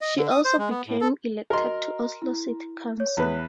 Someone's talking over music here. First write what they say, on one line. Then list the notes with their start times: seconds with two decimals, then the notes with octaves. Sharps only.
She also became elected to Oslo city council.
0.01 D#5
0.17 D3
0.31 D#6
0.45 C5
0.58 G#3
0.70 B3
0.87 A2
1.01 A4
1.50 F#4 A#4 D#5 C6
2.22 E4
3.00 C#5
3.17 E2 B4